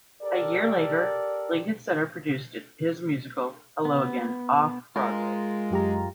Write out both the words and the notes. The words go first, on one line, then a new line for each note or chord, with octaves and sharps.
A year later, Lincoln Center produced his musical "Hello Again" Off Broadway.
G4 A4 A#4 D5
B3
G#3 F4 A#4
F#2 G4 A#5